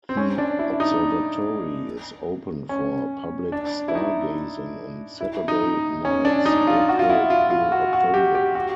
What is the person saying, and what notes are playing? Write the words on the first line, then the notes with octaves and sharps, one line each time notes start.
The observatory is open for public stargazing on Saturday nights April through October.
C4
C#4
D4
E4
D#4
C#4
D4
E4
D#4
E4
D#4
C#4
D4
D#4
F4
F#4
F4
E4
F4
F4
F#4
F#4
G4
G4
F#4